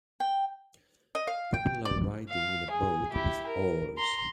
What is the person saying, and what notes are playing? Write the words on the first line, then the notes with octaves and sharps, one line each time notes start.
People are riding in a boat with oars.
G5
D#5
F5
G5
D5
F5
G#4
E4 G4
A#4
A#5 C6